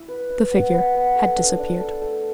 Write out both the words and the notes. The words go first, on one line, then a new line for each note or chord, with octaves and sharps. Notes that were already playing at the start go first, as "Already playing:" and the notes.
The figure had disappeared.
Already playing: E4
B4
E4
B3
B3
B3
A4
D4
D4
A4
A3